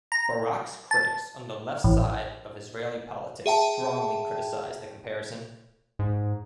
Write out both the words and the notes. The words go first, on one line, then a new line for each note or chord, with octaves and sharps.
Barak's critics on the left side of Israeli politics strongly criticised the comparison.
A#5
A5
A1
G#4 E5 G5 A5
G#2